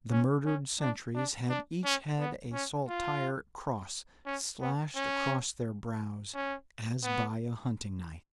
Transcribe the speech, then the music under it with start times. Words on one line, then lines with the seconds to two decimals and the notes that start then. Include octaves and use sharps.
The murdered sentries had each had a saltire cross slashed across their brows, as by a hunting-knife.
0.11 C#4
0.46 C#4
0.80 D4
1.15 D4
1.49 D4
1.84 C#4
2.19 B3
2.53 C#4
2.88 F4
4.26 C#4
4.61 B3
4.96 C#4
6.34 C#4
7.03 B3